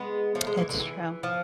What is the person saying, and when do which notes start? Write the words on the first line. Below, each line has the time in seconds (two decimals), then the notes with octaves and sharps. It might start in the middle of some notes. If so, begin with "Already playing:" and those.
It's true.
Already playing: G#3 B3
0.35 F3 A3
0.47 G#3
0.57 E3
0.69 D3
0.80 E3
1.23 F3